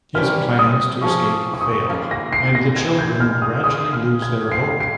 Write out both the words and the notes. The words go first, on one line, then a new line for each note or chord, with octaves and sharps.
His plans to escape fail, and the children gradually lose their hope.
C3 G3 C#4 F6
D#6
F3 A#3 C#4 G#4 C#6
C#6
D#6
D#3 A#3 C#4 F4
A#6
C7
A#6
C4 D#4 G#4 G#6
G6
F6
D#6
G#3 C#4 F4 G#4 D#6
F6
G#6
G3 C4 F4 C7
C7